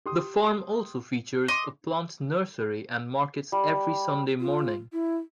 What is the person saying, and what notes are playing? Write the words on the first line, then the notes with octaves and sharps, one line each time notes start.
The farm also features a plant nursery and markets every Sunday morning.
G4 C6 D#6
D#5 C6 D6 A#6
G3
F4
E4